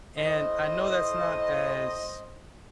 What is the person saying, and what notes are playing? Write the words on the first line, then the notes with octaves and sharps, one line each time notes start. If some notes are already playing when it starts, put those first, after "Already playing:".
And I know that's not as
A2 C5 D#5